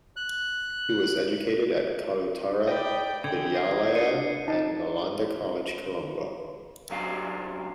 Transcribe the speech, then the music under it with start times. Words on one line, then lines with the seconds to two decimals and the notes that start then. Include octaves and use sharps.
He was educated at Kalutara Vidyalaya and Nalanda College Colombo.
0.16 F#6
2.68 D5 D#5 G5 B5 G6
3.24 D3 G#4 G5 G#6
3.55 F4 D#5 C7
3.95 D4 C7 C#7 D#7
4.48 D#4 A5
6.90 B1 F#2 F#3 D4 F5